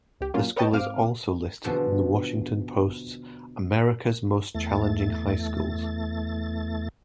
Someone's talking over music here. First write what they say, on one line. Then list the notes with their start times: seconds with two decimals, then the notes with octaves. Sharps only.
The school is also listed in the Washington Post's "America's Most Challenging High Schools".
0.21 C#2 G4
0.34 F#3 A#3 C#4 F4
0.56 A#4 B4 C#5 D#5 G5 A5
0.73 G#2 C4 F5 D6 F6
1.64 E2 B2 D3 F3
4.55 E2 A3 A6